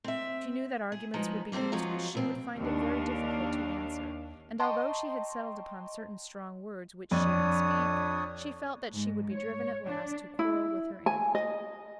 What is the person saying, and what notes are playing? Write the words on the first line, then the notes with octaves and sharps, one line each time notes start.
She knew that arguments would be used which she would find it very difficult to answer; and, although she had settled upon certain strong words which she would speak, she felt that she would be driven at last to quarrel with her aunt.
C4 E5
G#4
F3 G#3 B3 D#4
G3 A#3 C4 A4 C5
F3 F#3 G#3 F4 F#4
B2 C4
D#2 C#4 D4 F5
D#5 G5 A5 A#5 C6 C#6
F2 D4 C#5 D#6
G#2
C#5
D4
E4
G#5
D#5